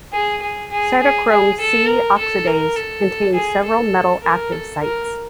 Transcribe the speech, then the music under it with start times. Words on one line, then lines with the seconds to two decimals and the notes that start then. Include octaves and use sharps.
Cytochrome c oxidase contains several metal active sites.
0.13 G#4
0.42 G#4
0.71 G#4
1.00 G#4
1.30 G#4
1.60 A4
1.88 A#4
2.18 A4
2.47 A#4
2.76 A4
3.35 G#4
3.65 A4
4.23 A#4
4.52 A4
4.81 A#4